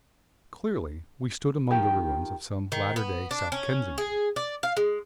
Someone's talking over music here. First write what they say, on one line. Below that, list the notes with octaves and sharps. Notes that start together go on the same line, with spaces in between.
'Clearly we stood among the ruins of some latter-day South Kensington!
D#3 F3 G4
D#3
B3
D4
C#4
G#4
D5
F5
G#3